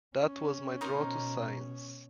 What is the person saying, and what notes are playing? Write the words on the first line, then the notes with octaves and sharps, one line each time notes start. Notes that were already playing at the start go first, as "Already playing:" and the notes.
That was my draw to science.
C#4
B2 D#4 A#4 C5